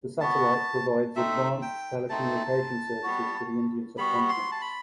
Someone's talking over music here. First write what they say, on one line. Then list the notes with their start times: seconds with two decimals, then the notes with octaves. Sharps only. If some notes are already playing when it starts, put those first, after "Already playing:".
The satellite provides advanced telecommunication services to the Indian subcontinent.
0.21 B3 F#4 A5
1.16 A3 C4 D#4 E5
1.62 G5
2.10 A3 C4 D#4 A5
3.03 G3 B3 F#4
3.98 G3 B3 F#4 B5
4.29 C6
4.52 A5
4.61 B5